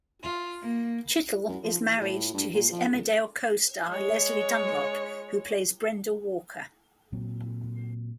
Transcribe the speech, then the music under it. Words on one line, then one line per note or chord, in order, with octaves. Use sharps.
Chittell is married to his "Emmerdale" co-star Lesley Dunlop, who plays Brenda Walker.
F4
A#3
F#2
F3
E3
A2
G2
A#2
F3
C#2
G#3 C#5
A#2 F#3 C4